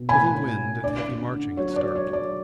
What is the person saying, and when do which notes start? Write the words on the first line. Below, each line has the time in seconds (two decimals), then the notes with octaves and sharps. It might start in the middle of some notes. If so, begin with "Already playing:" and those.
Little wind and heavy marching at start.
Already playing: B2
0.09 A2 G#5 B5
0.34 C#4
0.59 A2
0.83 D3 D5
1.08 C#4
1.33 D3
1.57 F#3 C#5
1.76 D5
1.82 F#4
1.95 C#5
2.07 F#3
2.13 D5